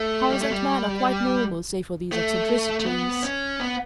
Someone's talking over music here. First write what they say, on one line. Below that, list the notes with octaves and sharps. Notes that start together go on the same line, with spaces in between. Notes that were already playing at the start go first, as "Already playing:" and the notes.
House and man are quite normal save for these eccentricities.
Already playing: A3
G3
A3
G3
A3
A3
B3
C#4
B3